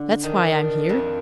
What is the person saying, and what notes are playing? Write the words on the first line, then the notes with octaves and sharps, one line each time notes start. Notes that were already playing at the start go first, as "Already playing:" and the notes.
That's why I'm here.
Already playing: D3
D#3 D4
F2